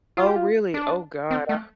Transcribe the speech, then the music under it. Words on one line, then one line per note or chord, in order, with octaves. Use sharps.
Oh, really? Oh, god. Uh,
F4
G4
F4
D4
C4
A3